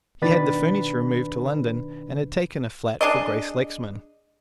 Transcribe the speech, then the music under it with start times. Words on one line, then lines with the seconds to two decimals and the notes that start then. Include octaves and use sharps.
He had the furniture removed to London, and had taken a flat for Grace Lexman.
0.22 B2 D#3 D4 B4 B5 A6
3.01 D4 G#4 D5 D#5